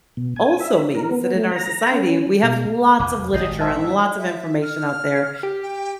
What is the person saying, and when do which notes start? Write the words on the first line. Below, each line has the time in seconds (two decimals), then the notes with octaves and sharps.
also means that in our society, we have lots of literature and lots of information out there
0.17 B2
0.36 G#5
0.60 E5
0.95 A#4
1.11 B3
1.35 A3
1.51 A#5
1.91 C#4
2.43 B2
3.00 F1 E2 D6
3.34 G#1 A#2 D#5 G6 C7
3.60 G#2 C4 D#5 E5 A5 C6
4.18 E5
4.62 F6
5.43 G4
5.63 G5